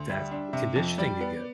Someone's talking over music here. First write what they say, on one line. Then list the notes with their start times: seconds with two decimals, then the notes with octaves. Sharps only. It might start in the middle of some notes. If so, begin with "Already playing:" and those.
that's the conditioning you get.
Already playing: D2
0.09 G3 E5
0.31 D4
0.53 C3 E5
0.76 F2
0.98 G3 D5
1.21 B3